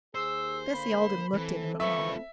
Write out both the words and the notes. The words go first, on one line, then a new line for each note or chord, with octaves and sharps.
Bessie Alden looked at him a moment.
D#2 G#4 C5 E6
D3 A#3 B5
E3 C4 A4
F4 B4 E5 C#6